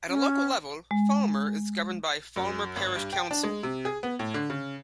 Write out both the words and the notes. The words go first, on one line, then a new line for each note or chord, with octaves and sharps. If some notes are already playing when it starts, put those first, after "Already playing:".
At a local level Falmer is governed by Falmer Parish Council.
C#4
G#3
F#2
G#1
G2
G5
D4
G#3
C3
G#4
B3
A2
D3
C#3